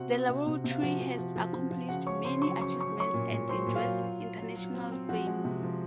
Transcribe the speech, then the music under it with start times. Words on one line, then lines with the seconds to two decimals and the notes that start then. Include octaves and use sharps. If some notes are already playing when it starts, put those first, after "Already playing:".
The Laboratory has accomplished many achievements and enjoys international fame.
Already playing: C3 C4 F#4 F#5
0.10 C4
0.29 C3
0.46 C3
0.64 C3
0.71 F5
0.82 F3 F#4 F#5
1.00 F3
1.18 F3
1.36 F3
1.53 F3
1.71 F3
1.89 C#3 F#4 F#5
2.06 C#4 C#5 C#6
2.24 C#3 C5 C6
2.42 F#3 C#6
2.60 C#4 C#6
2.78 C#4 C#6
2.96 F#3 C#5 C#6
3.14 A#2
3.31 A#2
3.49 F#3 C5 C6
3.67 A#2
3.76 F4 F5
3.84 F#3
4.03 F#3
4.20 F4
4.38 F#3
4.56 F#3
4.74 C4
4.92 C4
5.09 F3 F#4 F#5
5.27 G#3
5.44 C3
5.63 F3